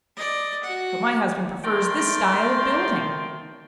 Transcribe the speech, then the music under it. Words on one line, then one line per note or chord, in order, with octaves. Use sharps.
"But my husband prefers this style of building."
D5 D#5
F#4 F#5
D#3 A3 D5 G5 C6